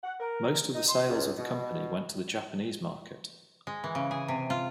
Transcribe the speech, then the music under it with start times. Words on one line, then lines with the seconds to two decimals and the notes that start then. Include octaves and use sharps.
Most of the sales of the company went to the Japanese market.
0.03 F#5
0.19 A#4
0.74 D#4
0.88 C6
1.09 C#2
1.37 B2
3.67 G#3
3.84 E3
3.95 C#3
4.11 G#4
4.28 C3
4.50 F4